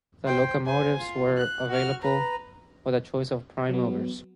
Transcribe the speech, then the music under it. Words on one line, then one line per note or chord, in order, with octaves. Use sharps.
The locomotives were available with a choice of prime movers.
C5 G5
C5 G#5
F4
F#6
F#4 F6
B4 A#5
F#3 B3